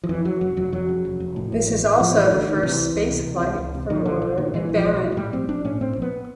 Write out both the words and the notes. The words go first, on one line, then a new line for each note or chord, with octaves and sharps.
This is also the first spaceflight for Maurer and Barron.
F3
F2 E3
C#3 F#3
F1 F#3
F1 F#3
F2 F#3
C#3
F1
F1
A2
A1
A1
A2
A2 F3
A1 E3
A1 D3
A2 D#3
C3 E3
C#2
C#2
C3
C3
C#2
C#2
C3
A#2 D#3
B1 D3
B1 D3
A#2 D#3
A#2 E3
B1
F3
B1
A#2 F#3
G#3
A2 G3
A#1 C4
A#1 D4
A2 C#4
A2 C4
A#1
B3